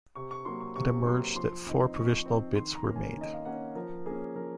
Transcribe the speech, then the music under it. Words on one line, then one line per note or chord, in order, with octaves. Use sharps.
It emerged that four provisional bids were made.
C3 C#6
C#6
F#3 A#3 C6
C#6
C3 C#6
F#3 A#3 C6
F3 C6
C4 D#4
F3 C#6
C4 D#4
D#3 C6
A#5
A#3 C#4
G#5
D#3
D#5
F5
A#3 C#4 F#5
F3 A#4
A#3 C#4 G#4
F3 A#4